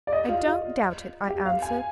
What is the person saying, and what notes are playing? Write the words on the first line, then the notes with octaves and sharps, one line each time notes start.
'I don't doubt it,' I answered.
D5
D#5
F4
F4
G4
F5
G#5